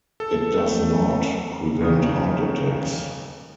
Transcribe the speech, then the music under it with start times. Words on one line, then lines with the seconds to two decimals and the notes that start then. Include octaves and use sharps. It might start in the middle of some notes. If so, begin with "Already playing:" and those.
It does not prevent heart attacks.
0.20 A4
0.58 A3
1.80 D#2 C#3 D#4 D#6